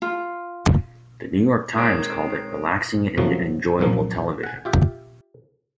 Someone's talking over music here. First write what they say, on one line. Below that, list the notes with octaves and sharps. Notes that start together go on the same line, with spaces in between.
The "New York Times" called it "relaxing and enjoyable television".
F4
D#3 G#3 C4 A#4 C#5 D#6
F#2 C3 F3 F#3 A3 B3
C2 F#2 A#2 F3 A#3
F#5 G#5
F4 G4 E5